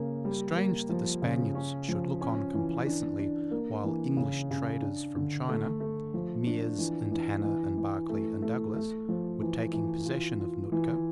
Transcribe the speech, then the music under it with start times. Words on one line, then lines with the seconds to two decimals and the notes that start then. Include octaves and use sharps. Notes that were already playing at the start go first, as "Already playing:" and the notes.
Strange that the Spaniards should look on complaisantly while English traders from China--Meares and Hanna and Barkley and Douglas--were taking possession of Nootka.
Already playing: C#3 A#3
0.25 G3
0.57 A#3
0.89 F3
1.22 C#3
1.55 C#4
1.88 F3
2.21 C#4
2.54 E3
2.87 D4
3.19 D4
3.51 A#3
3.84 E3
4.17 C#3
4.51 C#3
4.82 D4
5.16 D3
5.49 A3
5.80 A3
6.14 F3
6.47 D4
6.78 E3
7.11 E3
7.44 E3
7.78 E3
8.09 A3
8.42 A3
8.76 A3
9.09 F3
9.41 E3
9.73 E3
10.06 F4
10.39 F4
10.72 E3